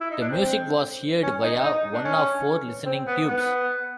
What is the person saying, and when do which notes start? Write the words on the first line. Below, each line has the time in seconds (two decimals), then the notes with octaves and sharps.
The music was heard via one of four listening tubes.
0.01 E4
0.10 D#4
0.21 D4
0.31 C4
1.23 C#4
1.43 D#4
1.63 D#4
1.93 D4
2.05 C#4
2.86 C4
3.07 B3
3.27 B3